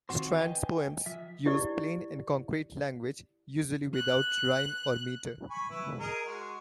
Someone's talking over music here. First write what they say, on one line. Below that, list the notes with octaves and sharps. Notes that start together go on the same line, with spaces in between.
Strand's poems use plain and concrete language, usually without rhyme or meter.
D#3 F3 C4 F#4 C5
B4 D#5 G5 G#5
F3 E5
E4 G4 D5
F#6
G#5 B5 C#6
E4 B4
G#4 A#4 D#5
G#3 F#4